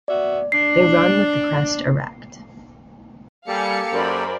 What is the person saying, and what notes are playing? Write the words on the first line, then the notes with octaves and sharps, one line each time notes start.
They run with the crest erect.
B3 F#4 D5 E5
D4 C7
G3 A#3 G4 A4 F5 G#5 C#7
F#2 A#4 C5 D5 B5